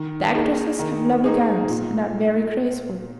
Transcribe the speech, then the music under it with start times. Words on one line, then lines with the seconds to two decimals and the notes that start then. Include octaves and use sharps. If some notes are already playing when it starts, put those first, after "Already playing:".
The actresses have lovely gowns, and are very graceful.
Already playing: D#3
0.34 A#3 D#4 G#4
0.79 D#3
1.24 A#3 D#4 G#4
1.69 A#2